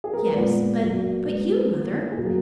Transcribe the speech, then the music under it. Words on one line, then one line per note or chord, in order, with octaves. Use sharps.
"Yes--but--but you, Mother?"
G#4
A#4
B4
A#2 G#3 B3 D5
B2 F#3 A#3
B2 G#3 B3 B4
D3 F3 A#3
G#4
B2 F#3 A#3 F#4